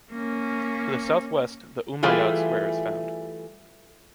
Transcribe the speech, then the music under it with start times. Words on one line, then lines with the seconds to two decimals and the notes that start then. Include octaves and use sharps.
To the southwest, the Umayyad Square is found.
0.11 A#3 C#4
2.03 E3 G3 A3 F4 G#4